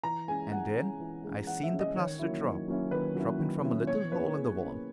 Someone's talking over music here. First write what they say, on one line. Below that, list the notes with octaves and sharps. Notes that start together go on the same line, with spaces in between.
And then I seen the plaster drop, droppin' from a little hole in the wall.
E3 A#5
G#3 C#4 G#5
E3 F#5
G#3 C#4
E3
G#3 C#4
E3 F#5
E5
G#3 C#4
D#5
D#3 C#5
F#3 A#3 C#4 E4
D#3
F#3 A#3 C#4 E4
D#3 B4
F#3 A#3 C#4 E4
D#3
F#3 A#3 C#4 E4
B2 C#5
A#3 C#4 E4 B4
B2 G#4
A#3 C#4 E4